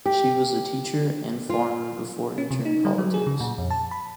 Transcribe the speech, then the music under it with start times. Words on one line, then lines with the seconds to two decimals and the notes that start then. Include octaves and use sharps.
She was a teacher and farmer before entering politics.
0.06 G4
1.49 F4
2.38 C#4
2.51 C3
2.65 D#4
2.85 G3
2.98 F#3
3.14 G#4
3.27 C#3
3.40 A#2
3.58 F2
3.71 A5
3.91 B5